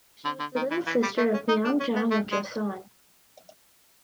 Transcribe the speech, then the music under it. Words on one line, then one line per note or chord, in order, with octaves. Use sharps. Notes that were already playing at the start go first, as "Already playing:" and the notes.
She was the little sister of Myeongjong of Joseon.
D3
D3
D#3
E3
E3
G3
A3
C#4
D#4
D4
C#4
B3
A3
G#3